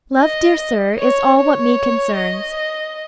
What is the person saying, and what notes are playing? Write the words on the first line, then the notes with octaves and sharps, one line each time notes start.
Love, dear sir, is all what me concerns.
D#5
C#5
C#5
D#5